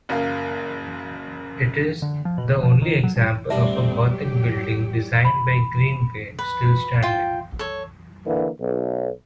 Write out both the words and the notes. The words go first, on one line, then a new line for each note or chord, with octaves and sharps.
It is the only example of a gothic building designed by Greenway still standing.
F#1 F#2 C#3 A#3 F5
D3
F3
B2
C3
F3
D#3
F#3
G2
G2 G3 A3 C4 D4 E5 F#5 A5
F#3 G4
B5
B4
F4 G5
A4 C#5
D3 E3 A#3
B1